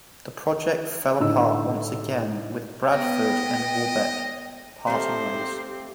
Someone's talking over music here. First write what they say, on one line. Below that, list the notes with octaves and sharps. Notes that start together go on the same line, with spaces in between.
The project fell apart once again with Bradford and Worbeck parting ways.
A2 D3 D#4 E6
B3 D#5 G5
F3 A3 C4 G4 C5